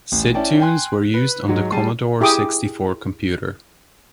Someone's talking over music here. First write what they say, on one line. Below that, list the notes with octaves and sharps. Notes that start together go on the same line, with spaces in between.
Sidtunes were used on the Commodore sixty four computer.
A1
C#4 E4 D5 G5 A5
G5 G#5 C6 F#6
B4
G#2 F#3 G#3
G3 G#4 A5 C7 D#7
E4 G4 G#4 D6 D#6